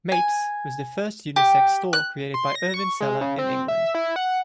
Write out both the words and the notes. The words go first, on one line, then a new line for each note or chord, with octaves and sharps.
'Mates' was the first unisex store created by Irvine Sellar in England.
G#5
G4
F#6
C6
A#6
C#6
G#3
C#3
C4
E5
E4
F#5